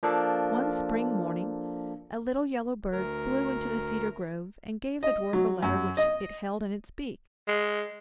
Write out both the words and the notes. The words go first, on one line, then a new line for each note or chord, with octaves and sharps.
One spring morning a little yellow bird flew into the cedar grove, and gave the dwarf a letter which it held in its beak.
F3 A#3 D4 A4
D2 A#4
D#5
F#3
F#2
D#5
G#3